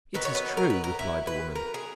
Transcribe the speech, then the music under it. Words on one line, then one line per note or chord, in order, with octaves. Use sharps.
"It is true," replied the woman.
D#3 F#3 B3 B4
C#5
B4
A#4
B4
A#4
E4
B4
A#4
G#4